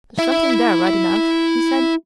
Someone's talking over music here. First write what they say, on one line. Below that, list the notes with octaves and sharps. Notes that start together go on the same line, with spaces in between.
"There's something there right enough," he said.
E4 E5